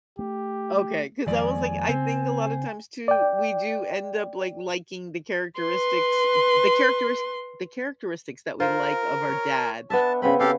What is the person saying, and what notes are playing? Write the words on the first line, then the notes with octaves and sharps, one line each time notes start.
Okay, 'cause I was like, I think a lot of times too, we do end up, like, liking the characteristics the characteris the characteristics that we like of our dad.
A3 G4
F2 D#3 G#3 A#3 D5 G#5
C#3 C4
D5 G5
B4 C6
F4 A#4 C5
C#5
B3 D4 E5 A5
C#3 B3 C4 B5
C#3 G4 A4 F5